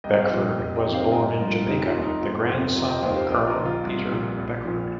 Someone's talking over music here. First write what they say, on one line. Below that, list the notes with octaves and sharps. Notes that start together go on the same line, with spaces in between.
Beckford was born in Jamaica the grandson of Colonel Peter Beckford.
C2 D#5 G5
C5 F5
A#2 F3
D#5 G5
F1 D#5 G5
D#5 G5
F2 C3 D#3
C5 F5
G1 A#4 D#5
G2 F3 F4 A#4
F4
F1 D#4 G4
F4
D#2 D#3
D#4
G1 F4
F2 C3
F1 F4 A#4
D#5 G5
D#2 D#3 C5 F5
G4 C5
A#1 A#4 D#5
F4 A#4
A#2 F3
F4
C2
A#2 F3
A#1
A#2 F3